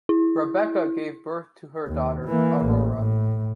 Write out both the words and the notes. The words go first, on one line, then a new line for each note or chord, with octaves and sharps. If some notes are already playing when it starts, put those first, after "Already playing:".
Rebecca gave birth to her daughter, Aurora.
E4
D#2
E3 A#3
A1
A2